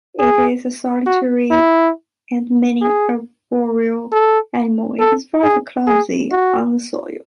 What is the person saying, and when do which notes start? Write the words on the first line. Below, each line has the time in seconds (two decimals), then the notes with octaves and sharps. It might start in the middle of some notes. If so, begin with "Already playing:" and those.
It is a solitary and mainly arboreal animal; it is rather clumsy on the soil.
0.19 G#4
1.06 F#4
1.51 E4
2.82 G#4
4.12 A4
4.99 A4
5.43 G#4
5.87 G#4
6.31 F#4